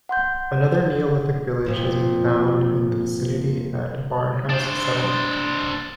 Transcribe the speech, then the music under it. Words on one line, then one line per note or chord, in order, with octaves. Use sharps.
Another Neolithic village has been found in the vicinity at Barnhouse Settlement.
F#5 C6 G6
F2 A#2 F3
D4 C5